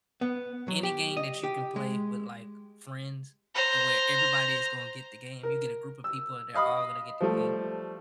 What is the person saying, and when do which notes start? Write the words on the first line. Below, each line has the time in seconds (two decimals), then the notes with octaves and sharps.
any game that you can play with, like, friends and where everybody is going get the game, you get a group of people and they're all gonna get the game,
0.21 B3
0.68 F#3
0.83 G4
1.17 D#5
1.43 G4
1.76 G#3
3.55 C5 A#5
5.43 A#4
6.04 E6
6.55 D#5 F5 B5 D#6
7.21 F3 G3 A3